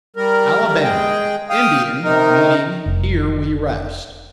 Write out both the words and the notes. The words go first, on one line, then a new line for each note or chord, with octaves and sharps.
Alabama--Indian; meaning "Here we rest."
G3 A#4
G#3 G#4 G5
F5 G5 D#6
C3 D#3 D#4 A#4
F1